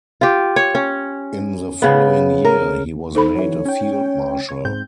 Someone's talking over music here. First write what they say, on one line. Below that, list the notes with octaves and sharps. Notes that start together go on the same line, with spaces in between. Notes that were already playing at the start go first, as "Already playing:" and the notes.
In the following year he was made a field-marshal.
F4 G4
C#5
C#4
C#3 B3
A#4
D#4 A4 C5 B5
E3 F#3 C#5
C#4 G5
C#5
G#2 C4 G6